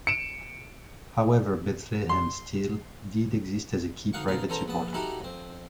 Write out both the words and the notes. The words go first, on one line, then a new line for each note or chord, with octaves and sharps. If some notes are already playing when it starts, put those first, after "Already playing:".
However, Bethlehem Steel did exist as a key private supporter.
C#7 D7 E7
C6
D2 D#4 F5 F#5 C#6
D2 B2 D#4 F5
E2 C#4 A4 C5 A#5
A#1 B3 A5
D#4 E4 F#4 G4 A4 A#4
F2 C4